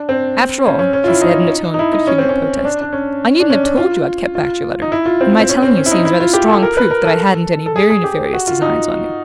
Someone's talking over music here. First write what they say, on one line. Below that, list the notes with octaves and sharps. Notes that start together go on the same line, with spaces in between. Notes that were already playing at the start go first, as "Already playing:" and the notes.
"After all," he said, in a tone of good-humoured protest, "I needn't have told you I'd kept back your letter; and my telling you seems rather strong proof that I hadn't any very nefarious designs on you."
Already playing: D4
C4
C#4
C#4
C#4
F4
E4
D#4
D#4
E4
D#4
C#4
C4
C#4
D4
D4
C#4
D4
C#4
D4
F4
F4
D#4
E4
F4
C4
C4
C#4
C4
C#4
E4
D#4
E4
F4
G4
A4
A#4
B4
A#4
A4
A4
G#4
G#4
G4
F#4
F4
D#4